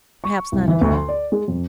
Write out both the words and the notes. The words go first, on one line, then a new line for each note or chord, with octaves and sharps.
Perhaps not at all.
C#6
C2
E3
D2
C6
D5
G#3
F2